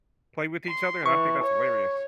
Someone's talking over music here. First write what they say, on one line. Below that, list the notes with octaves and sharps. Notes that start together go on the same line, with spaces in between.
play with each other, and I think that's hilarious.
C6
E3 C#6
C#5